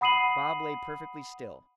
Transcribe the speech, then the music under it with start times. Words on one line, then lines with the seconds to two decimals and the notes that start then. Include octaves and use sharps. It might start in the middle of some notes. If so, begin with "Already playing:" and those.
Bob lay perfectly still.
0.01 F#5 B5 D#6 C7 D#7 F#7